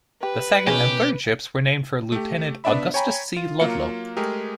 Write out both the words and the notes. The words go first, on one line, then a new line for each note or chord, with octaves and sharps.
The second and third ships were named for Lieutenant Augustus C. Ludlow.
G4 B4
B2 D#3 C#4 G4 G#4
A3 G4
B3 D4 D5 E5 B5
C#5 G5 G#5 A#5 B5
F4
F#3 A#3 F4 C#7
G#3 A3 G4 G#4 A#4